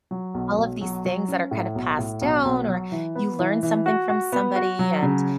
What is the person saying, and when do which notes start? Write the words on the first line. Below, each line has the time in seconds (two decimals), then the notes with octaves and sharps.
all of these things that are kind of passed down or you learn something from somebody and
0.11 F#3
0.34 B1
0.58 B1
0.81 F#3
1.05 F#3
1.28 C#4
1.51 A2
1.75 B1
1.98 A2
2.22 B1
2.45 B1
2.69 F#3
2.92 E3
3.15 B3
3.39 E3
3.63 E3
3.86 F#4
4.09 F#4
4.32 B3
4.56 F#4
4.79 F#3
5.02 C#3